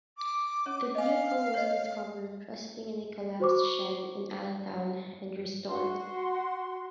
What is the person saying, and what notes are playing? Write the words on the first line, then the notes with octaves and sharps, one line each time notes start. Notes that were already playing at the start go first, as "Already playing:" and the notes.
The vehicle was discovered rusting in a collapsed shed in Allentown, and restored.
D6
C#4 C#5
D#5 F5 G#5
C#5 D#5
F#4 C5 C#6 D6
F#4 C6